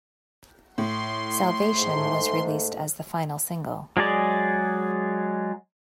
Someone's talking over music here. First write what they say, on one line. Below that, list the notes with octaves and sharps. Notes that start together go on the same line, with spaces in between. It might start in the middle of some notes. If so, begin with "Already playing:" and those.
"Salvation" was released as the final single.
A2 C6
G#2 A3
F#3 G#3 G#4 D5